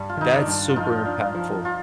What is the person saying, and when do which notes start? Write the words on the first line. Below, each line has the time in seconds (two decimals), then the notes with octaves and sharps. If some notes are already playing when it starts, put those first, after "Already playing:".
that's super impactful.
Already playing: G2 G3
0.09 F4
0.17 D#3 D#4
0.32 D4
0.47 G2
0.69 F4
0.76 F3 D#4
1.06 D4
1.35 F3
1.65 F4